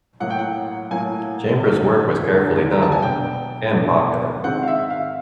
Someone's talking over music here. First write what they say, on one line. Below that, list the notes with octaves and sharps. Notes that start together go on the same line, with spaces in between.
Chambers' work was carefully done, and popular.
A2 F#3 A#3 F#5
G5
F#5
A2 F#3 A#3 G#5
F#2 D3 F#3 A#3 D4
F#2 D3 F#3 A#3 D4
A#5
A5
G#5
B2 F#3 B3 D4 G5
B2 F#3 B3 D4
G#2 D#3 G#3 C4 F#5
F5
E5
F5